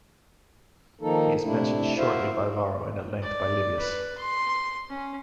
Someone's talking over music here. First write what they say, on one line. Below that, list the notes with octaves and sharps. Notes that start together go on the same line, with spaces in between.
He is mentioned shortly by Varro and at length by Livius.
D#3 F3 A#3 D#4 A4
C3 A3 D4 E4
E4 F#4 C5 E5 F5
D5
B4
C6
C#4